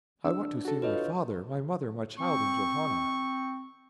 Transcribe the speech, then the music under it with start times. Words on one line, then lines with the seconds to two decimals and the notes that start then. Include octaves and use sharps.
I want to see my father, my mother, my child, in Johanna.
0.25 D4 E6
0.65 F#4 A4
0.82 E4 F4 B4 C#5 D#5
2.19 C4 C#6